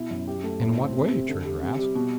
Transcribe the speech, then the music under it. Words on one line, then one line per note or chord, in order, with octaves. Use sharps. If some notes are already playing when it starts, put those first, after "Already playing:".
"In what way?" Trigger asked.
Already playing: B2 E4
F#2
G4
A3
A2
C4
C3
C3
D3
G3
C3
G3
B2